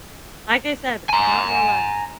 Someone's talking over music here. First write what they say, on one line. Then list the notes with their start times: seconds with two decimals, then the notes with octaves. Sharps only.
Like I said, not real life.
1.10 G#5 A#5